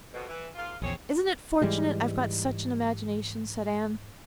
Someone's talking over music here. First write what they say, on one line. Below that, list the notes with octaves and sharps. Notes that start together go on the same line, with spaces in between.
"Isn't it fortunate I've got such an imagination?" said Anne.
F2 B2
E3
G#2 A#3 F4
A#1 E2 C4 G#4 C#5
G#2 E3 G3 G#3